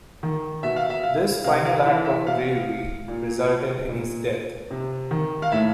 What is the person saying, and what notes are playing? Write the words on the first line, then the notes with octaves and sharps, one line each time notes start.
This final act of bravery resulted in his death.
D#3
B2 E5
F5
E5
F5
C3 F5
F5
E3 E5
E5
B2 F5
A#2
A#2
C3
D#3
F5
A2 E5